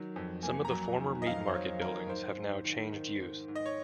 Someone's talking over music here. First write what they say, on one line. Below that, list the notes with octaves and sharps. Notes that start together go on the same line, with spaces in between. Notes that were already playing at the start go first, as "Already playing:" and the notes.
Some of the former meat market buildings have now changed use.
Already playing: D#3 F#3
F2
A#3 G#5
A#5
F#3
D#3
D#5
F2 F5
C5
F#3 C#5
D#3 A#4
G#2 C5
G#2
D#3
D#3
G#2
G#2
D#5
C#5